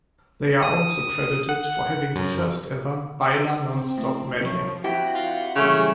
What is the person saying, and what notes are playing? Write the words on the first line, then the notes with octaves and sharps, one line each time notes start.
They are also credited for having the first ever baila non stop medley.
D#6
F#5
F#2
C4
A2
C3 F3 F#3 C#5
C4 E4 F#4 G4 F#6 A#6
F4 F#5
A#2 C#3 E3 G3 A3 G#5